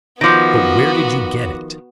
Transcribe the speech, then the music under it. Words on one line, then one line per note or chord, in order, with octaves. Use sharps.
"But where did you get it?"
D#3 F3 B3 F#4 D6 A#6